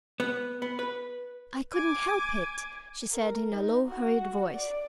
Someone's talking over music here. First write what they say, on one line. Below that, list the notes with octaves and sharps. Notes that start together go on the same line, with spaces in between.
"I couldn't help it," she said in a low hurried voice.
B3
B3
B4
G#5 D6
A#4
D#4
F#4
D5